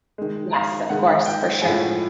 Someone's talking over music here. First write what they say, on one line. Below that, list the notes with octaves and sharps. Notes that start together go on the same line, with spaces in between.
Yes, of course, for sure.
D#3 G#3
F5
D#3 G#3 F#5
G5
A2 F3 G#3 G#5